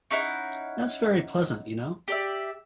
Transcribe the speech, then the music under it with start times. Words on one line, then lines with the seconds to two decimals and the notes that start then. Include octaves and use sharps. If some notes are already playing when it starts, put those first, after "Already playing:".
That's very pleasant, you know!
0.11 C#4 D#4 E4 F#5
2.08 G4 D5 E5